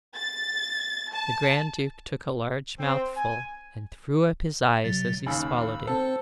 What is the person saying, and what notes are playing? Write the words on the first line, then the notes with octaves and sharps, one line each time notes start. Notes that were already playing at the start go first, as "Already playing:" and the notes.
The grand duke took a large mouthful and threw up his eyes as he swallowed it.
A6
A5
C4
G#5
C3 F#3 A6
D#2 C#3 B5 E6
C4 A4 C5